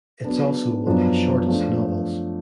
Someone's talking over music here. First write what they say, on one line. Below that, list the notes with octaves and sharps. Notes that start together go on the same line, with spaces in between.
It's also one of his shortest novels.
F#3 B3 D4
F#2 F3 B3 D4
F3 A3 D4